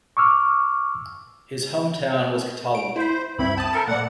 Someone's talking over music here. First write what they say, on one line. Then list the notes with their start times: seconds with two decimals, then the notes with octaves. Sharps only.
His home town was Kitale.
0.17 C#6 D6 E6 F6
2.75 D7
2.96 E4 C5 B5
3.38 C#2 G2 C4 E4 B5
3.57 G5 A5 D#6
3.73 C4 A4 A#4 B5 A6
3.87 A#2 A3 D5 F#5